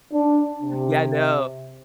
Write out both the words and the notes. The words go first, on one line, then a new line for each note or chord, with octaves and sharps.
Yeah, no.
D4
C3